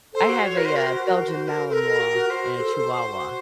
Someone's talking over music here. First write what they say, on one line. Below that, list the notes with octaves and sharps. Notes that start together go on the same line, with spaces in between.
I have a, uh, Belgian Malinois and a Chihuahua.
A4 C5
F#4
F#4 C#5
A#4
C5
A#4
C5
A#4
C5
A#4
A4 C5
A#4
A4
F#4
F#4
F#4 C5
F#4
A4
A#4
A4
F#4